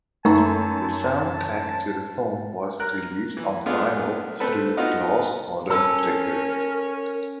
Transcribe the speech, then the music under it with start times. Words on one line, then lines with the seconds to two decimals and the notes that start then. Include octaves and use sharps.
The soundtrack to the film was released on vinyl through Glass Modern Records.
0.25 F#2 A3 D#4 A5 A#5 C#6
2.80 A#4 F#6
3.37 E3
3.66 G#3 A3 B3 D4 F4
4.40 A3 C4 A4 B4
4.77 B3 D#4 F4 F#4
5.70 C#4 A4 A#4